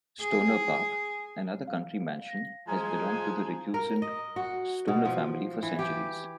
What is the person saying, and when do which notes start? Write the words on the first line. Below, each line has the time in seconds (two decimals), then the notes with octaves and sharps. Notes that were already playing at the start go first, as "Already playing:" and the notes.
Stonor Park, another country mansion, has belonged to the recusant Stonor family for centuries.
0.20 G#4
1.67 F5
2.29 A#6
2.68 F3 G#3 G#5 A#5
3.74 A#4
4.02 D#5
4.36 F#4
4.88 B2
5.05 F3
5.63 E3
5.79 G4